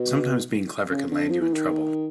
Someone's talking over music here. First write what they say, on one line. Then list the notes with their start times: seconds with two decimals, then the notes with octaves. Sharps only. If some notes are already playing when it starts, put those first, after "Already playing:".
Sometimes being clever can land you in trouble.
Already playing: B2
0.91 C#3
1.11 D3
1.30 F3
1.41 E3
1.54 D#3